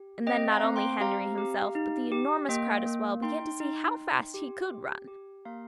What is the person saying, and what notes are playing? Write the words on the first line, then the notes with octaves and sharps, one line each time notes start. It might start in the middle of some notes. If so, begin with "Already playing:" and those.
And then not only Henry himself, but the enormous crowd as well, began to see how fast he could run.
Already playing: G4
C4 D#5 G5
F5 A#5
C4
G5 C6
G4 F5 A#5
G4
D#4
G4
A#3 D#5 G5
A#3
D#4 G5 C6
D#4
D#4
G4
G4
G4
A#3 F5 A#5